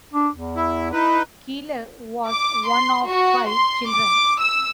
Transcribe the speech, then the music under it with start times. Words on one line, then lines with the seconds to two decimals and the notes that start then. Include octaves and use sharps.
Keeler was one of five children.
0.13 D4
0.34 E2
0.56 E4
0.93 D#4 E4 B4
2.29 D6
2.68 C6
3.09 F#4
3.51 C6
3.92 D6
4.41 E6